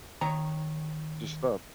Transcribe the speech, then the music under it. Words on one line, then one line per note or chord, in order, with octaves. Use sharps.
Just stop,
D#3 C#5 A#5